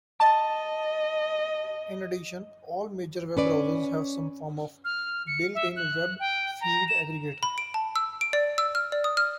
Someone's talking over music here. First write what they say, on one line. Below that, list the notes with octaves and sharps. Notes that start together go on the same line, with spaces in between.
In addition, all major web browsers have some form of built-in web feed aggregator.
D#5 A5
C#4 B4 D5
F6
C#7
E5
F#6
G5
A#5
E7
B5
D7
A5
E6
D7
D5
E6
F6
D5
D#6
F6